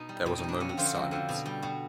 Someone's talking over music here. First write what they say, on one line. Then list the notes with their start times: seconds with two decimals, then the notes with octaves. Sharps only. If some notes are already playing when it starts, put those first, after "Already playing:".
There was a moment's silence.
Already playing: B2 D#4
0.09 G3
0.26 B2
0.38 D#4
0.43 G3
0.49 D4
0.60 F2 C#4
0.69 F#4
0.77 D3 F3 F4
0.86 F#4
0.95 F2
1.11 D3 F3
1.29 B2
1.46 G3
1.62 B2 F#4